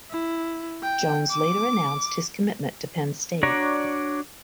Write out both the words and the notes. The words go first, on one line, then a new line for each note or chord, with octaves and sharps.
Jones later announced his commitment to Penn State.
E4
G5
D6
D4 F#4 C#5 D5 A#5